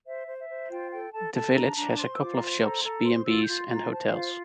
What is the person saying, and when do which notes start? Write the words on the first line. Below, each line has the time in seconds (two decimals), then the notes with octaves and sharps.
The village has a couple of shops, B and Bs and hotels.
0.07 C5 E5
0.27 C5
0.38 E5
0.49 C5
0.70 F4 G5
0.92 A4 G5
1.12 A4 A5
1.34 A4 A5
1.55 D4 A#5
1.67 A5
1.76 D4 A#5
1.98 C5 C6
2.14 E6
2.19 F4 D6
2.34 A#5
2.41 C5 C6
2.62 A4 A#5
2.79 C6
2.84 A4 A#5
3.04 C5 C6
3.26 F4 E6
3.43 G6
3.48 F4
3.58 C6
3.68 F4
3.74 A#5
3.90 C5 A5
4.07 F5
4.12 F4